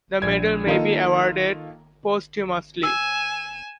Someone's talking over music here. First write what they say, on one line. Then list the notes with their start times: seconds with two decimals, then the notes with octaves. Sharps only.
The medal may be awarded posthumously.
0.22 A#1 G#6
0.66 D#3 A#3 F4 A4 D#5
2.83 G#5 E6 E7